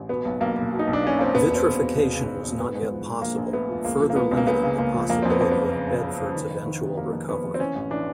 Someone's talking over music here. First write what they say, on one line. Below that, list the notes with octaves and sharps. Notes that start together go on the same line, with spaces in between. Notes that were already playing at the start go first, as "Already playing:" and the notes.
Vitrification was not yet possible, further limiting the possibility of Bedford's eventual recovery.
Already playing: A1
B2 B3
B1
B1 A#3
A#3
B2
D#4
B1
D4
A#3 C#4
A#3 C4
E1 B3
E1 C4
E1 B3
E1
E1
C#3
E1
E1
G#2 B3
G#2
F3
G#2
A#1 A#3
A#1
A3 B3
F3
C#2 A#3
F3
A#3
C#2 B3
C#2
A#3
C#3 B3
C#3
C#2 A#3
F3
F2 A#3
C4
F2 B3
F2
B3
F#1
C#3
C#3
F#1
C#3
D#3
F2
D#3
C3
F2 A#3
F2
F2 B3
F2
C4
E3 C#4
A1
E3 D4